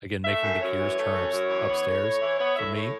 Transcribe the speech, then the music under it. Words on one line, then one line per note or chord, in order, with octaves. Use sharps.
again, making the gears turn ups upstairs for me.
A3 E5
F#2
F#2 C#5
E3
A3
F#2
F#2
E3
B3
A2
A2
E3
B3 C#5
A2 E5
A2 C#5